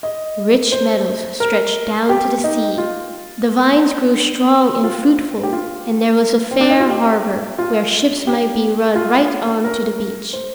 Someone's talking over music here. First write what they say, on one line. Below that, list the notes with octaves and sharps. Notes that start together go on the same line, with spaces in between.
Rich meadows stretched down to the sea, the vines grew strong and fruitful, and there was a fair harbor where ships might be run right on to the beach.
D#5
C5
A#4
G4
D#4
F4
F4
G4
F4
C4
D4
D#4
F4
G4
F4
G4
F4
A#4
C5